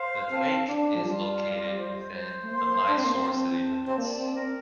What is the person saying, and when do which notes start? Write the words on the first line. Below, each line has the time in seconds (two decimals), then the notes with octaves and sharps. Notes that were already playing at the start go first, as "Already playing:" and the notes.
The lake is located within the Mysore city limits.
Already playing: C5 F5
0.31 C4 A5
0.68 D4 A5
0.96 F3
1.04 G3 F4
1.41 D#5
1.78 C5
2.15 C5
2.43 A3
2.51 A#3 C6
2.88 D4 A5
2.97 C4
3.05 A#3
3.14 C4
3.25 C4 C5
3.62 A5
3.87 C4
3.98 A#3 D5
4.17 C4
4.35 C4 A#4